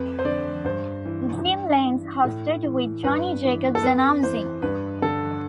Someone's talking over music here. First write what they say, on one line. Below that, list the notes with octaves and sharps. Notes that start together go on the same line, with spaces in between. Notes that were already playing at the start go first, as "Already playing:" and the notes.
Jim Lange hosted, with Johnny Jacobs announcing.
Already playing: F2 B4
C5
D3 D5
G2 C5
E3
G2
E3
A2
E3
G2 B4
E3
A4
F2 B4
E3 C5
G2 B4
D3 A4